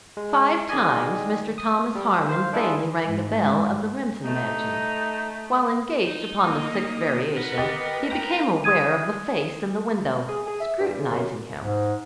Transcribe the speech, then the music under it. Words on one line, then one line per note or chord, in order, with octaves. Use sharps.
FIVE times Mr. Thomas Harmon vainly rang the bell of the Remsen mansion. While engaged upon the sixth variation he became aware of a face in the window, scrutinizing him.
G#3
D#3 G#4 D5 D#5 G#5
D#6
G3
C5 F5
D4 E4 F4 G#4 A4
G#2
A3 D#4
D#4
A#3 D#5
B3 A#4 B4
G4 D#5 A6
G5 A#5
D#6 G#6 D#7
G#4
G#4
E5
G2
C#3
F#2
G#2